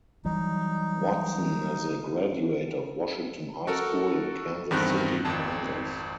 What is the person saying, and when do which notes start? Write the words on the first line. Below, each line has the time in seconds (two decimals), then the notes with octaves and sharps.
Watson is a graduate of Washington High School in Kansas City, Kansas.
0.25 E3 F#3 G3 D#4
3.67 F#4 A4 A#4
4.71 E2 G2 D#3 C4 F#6
5.25 G#1 F2 A5